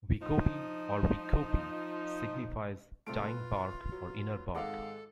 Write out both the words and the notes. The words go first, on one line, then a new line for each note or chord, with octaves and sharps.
Wigobi or wicopy signifies "tying bark" or "inner bark".
F3 D#4
C3 G3 A3 F4 D7
B4
F#3
G#1 G#3 A4 F5 F#5 D6